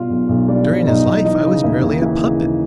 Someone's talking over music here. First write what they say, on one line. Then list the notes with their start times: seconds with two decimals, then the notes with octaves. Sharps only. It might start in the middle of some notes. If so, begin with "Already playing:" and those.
During his life I was merely a puppet.
Already playing: B2 G3 F4 F5
0.10 B1
0.29 B1
0.48 G3 D4 D5
0.68 B2
0.87 B1 D#4 D#5
1.05 B1
1.25 E3 D#4 D#5
1.45 C#3
1.63 D#2 E4 E5
1.82 D#2
2.02 E3 E4 E5
2.21 C#3
2.40 D#2